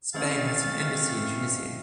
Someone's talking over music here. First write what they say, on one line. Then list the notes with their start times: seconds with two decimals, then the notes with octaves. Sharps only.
Spain has an embassy in Tunisia.
0.14 D#3 E3 A3 C4 C#4 D#5 F5 A6